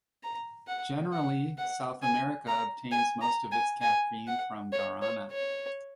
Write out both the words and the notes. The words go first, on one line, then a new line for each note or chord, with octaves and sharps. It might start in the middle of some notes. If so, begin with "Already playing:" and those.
Generally, South America obtains most of its caffeine from guarana.
A#5
F#5
F#5
F#5
G#5
A#5
G#5
A#5
G#5
G#5
F#5
C#5
C#5
C#5